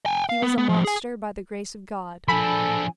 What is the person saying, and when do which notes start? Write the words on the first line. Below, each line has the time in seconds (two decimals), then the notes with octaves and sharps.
He was a monster by the grace of God.
0.06 G5 G#5
0.29 F5
0.42 B3
0.58 B3
0.69 A2 F3
0.84 G#4 G#5
2.28 F3 D4 A4 G#5 B5